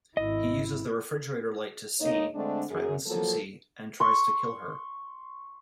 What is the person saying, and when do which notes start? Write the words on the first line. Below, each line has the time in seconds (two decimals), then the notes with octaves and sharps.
He uses the refrigerator light to see, threatens Susy, and tries to kill her.
0.17 G#1 E4 D#5
1.99 D2 A#3 D#4 C#5 D#5
2.34 D3 G#3 A3 C4 D4
2.70 F#2 G#4
3.06 F3 F#3 A#3 A4
4.00 C6 C#6